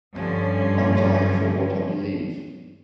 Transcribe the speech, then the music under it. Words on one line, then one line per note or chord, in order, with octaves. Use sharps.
I'm dying for what I believe.
G2 D3 F3 C#4